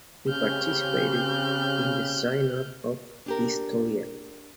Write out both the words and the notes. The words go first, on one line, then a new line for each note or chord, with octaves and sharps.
He participated in the Synod of Pistoia.
C#3 C4 G4 F6 G6
D4 G4 A#4